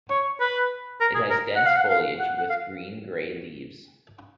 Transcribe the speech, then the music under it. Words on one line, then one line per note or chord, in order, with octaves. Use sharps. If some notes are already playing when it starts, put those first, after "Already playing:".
It has dense foliage with green-grey leaves.
C#5
B4
A#4
G#4
A#4
F#5
F5
F#5
F5
F#5
F#5
F5